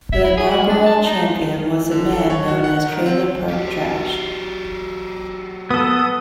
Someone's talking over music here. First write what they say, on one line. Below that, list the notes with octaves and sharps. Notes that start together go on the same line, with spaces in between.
The inaugural champion was a man known as Trailer Park Trash.
E5
E4
G#4
F#4
D4
A5
D#4
D3
A4
C#5
F#4
F#5
D#3
C4
F#3 G4
B3 A4 D#6